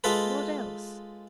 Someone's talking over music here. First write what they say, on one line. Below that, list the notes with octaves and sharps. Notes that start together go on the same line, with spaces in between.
"What else?"
G#3 F4 A4 B4